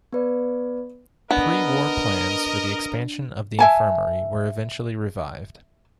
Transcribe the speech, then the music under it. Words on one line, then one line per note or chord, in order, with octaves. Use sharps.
Pre-war plans for the expansion of the Infirmary were eventually revived.
B3 B4 D5
B3 D4 A#4 D#5
E5 G#5 A5